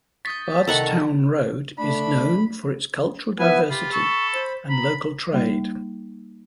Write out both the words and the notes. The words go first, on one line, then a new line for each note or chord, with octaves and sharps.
Bardstown Road is known for its cultural diversity and local trade.
C#6 D#6 G6 A6 B6
C2 D#3 A4 F#5 A#5 C#6
A3 D4 B5
B3 E4 B4 G#5
F4 G4 B5
A4 C#6
C5
A#5 B5
G3 A#3 D#4